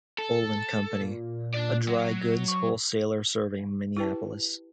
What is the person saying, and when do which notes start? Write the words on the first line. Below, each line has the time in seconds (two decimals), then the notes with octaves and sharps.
Bull and Company, a dry goods wholesaler serving Minneapolis.
0.18 A4
1.01 A#2
1.55 D4 D5
1.88 F#3
2.48 C#6
3.97 E4 G4 B4 G5 A5